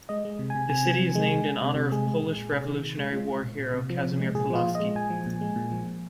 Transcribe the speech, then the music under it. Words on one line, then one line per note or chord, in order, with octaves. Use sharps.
The city is named in honor of Polish Revolutionary War hero Casimir Pulaski.
G#3 D#5
G#3
C3
G#5
C3
C3 G#5
F3
C3
G#3
G#3
G#3
C3
C3
G#3 G#4
G#3
A#2
A#2
C3
D#3
C3
G#3
G#3 F4
G#3
A#2
A#2
C3
F3
C3
G#3
A#2 G#4
F3
F4
A#2
D#5
G#3
A#2 G#5
F3
A#2
G#3
A#2
F3
A#2